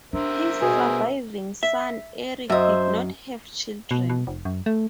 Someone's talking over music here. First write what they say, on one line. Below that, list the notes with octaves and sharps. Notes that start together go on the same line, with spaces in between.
His surviving son Erik did not have children.
D4 A#4 C5 E5
B2 G#4
E5
F#2 C5 D#5 E5
B2
B2
F1
F#2
A3